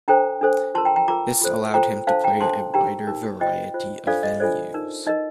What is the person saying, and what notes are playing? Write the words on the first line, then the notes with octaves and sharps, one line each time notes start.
This allowed him to play a wider variety of venues.
D4 A4 C5 G5 A#5
D4 A4 C5
F4 A#4 A5 C6
G5 A#5
G5 A#5
F4 A#4 A#5 D6
F4 A4 C5
F4 A4 C5 G5 A#5
D4 A4 C5 F5 A5
G5 A#5
D4 A4 C5 A5 C6
D#4 G4 A#4 G5 A#5
D#4 G4 A#4
F4 C5 D#5 G5
F4 C5
D4 F4 A4 C5 D5 F5
D#5
D4 F4 A4 C5 D5
D#4 A#4
D#4 A#4 D#5